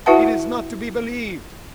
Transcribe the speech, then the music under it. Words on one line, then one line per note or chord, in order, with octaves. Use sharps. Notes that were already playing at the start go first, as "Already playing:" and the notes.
It is not to be believed!
E4 F#4 B4 E5 F#5 A5